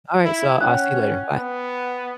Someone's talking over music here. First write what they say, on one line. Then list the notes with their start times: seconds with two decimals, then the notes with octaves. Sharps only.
all right, so I'll see you later, bye.
0.25 E4
0.61 C#4 F#5 G5 F#6
1.36 B3